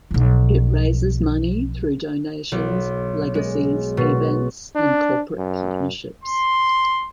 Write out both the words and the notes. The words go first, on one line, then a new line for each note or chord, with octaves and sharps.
It raises money through donations, legacies, events and corporate partnerships.
B1 F3
B1
G#3
B2
D4
F#2
C6